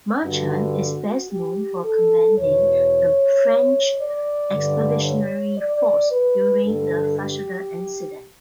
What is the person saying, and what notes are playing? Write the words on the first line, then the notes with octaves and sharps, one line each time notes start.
Marchand is best known for commanding the French expeditionary force during the Fashoda Incident.
G2 D3 F#4
F#4
G4
A4
E2 B2 C#5
D5
G2 D3
C#5
D5
B4
G2 D3 A4
G4